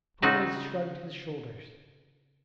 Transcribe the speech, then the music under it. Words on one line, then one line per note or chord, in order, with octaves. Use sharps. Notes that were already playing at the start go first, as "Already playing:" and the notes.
Torres shrugged his shoulders.
C#3 C4 D#4 F4 F#4